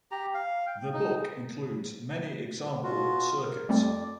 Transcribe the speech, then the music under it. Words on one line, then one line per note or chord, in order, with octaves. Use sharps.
The book includes many example circuits.
G4 A#5
F5
G5
D#4
B2 F4 F#4
A#4
F2 G3 A3 C4 D5